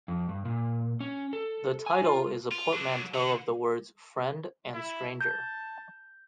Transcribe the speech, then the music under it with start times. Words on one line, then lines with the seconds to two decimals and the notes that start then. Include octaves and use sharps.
The title is a portmanteau of the words "friend" and "stranger".
0.08 F2
0.29 G2
0.45 A#2
1.00 C#4
1.33 A4
1.86 G#5
2.04 F4
2.52 F4
2.73 F#3 D4
3.14 D3
4.74 E4
5.21 A5 G6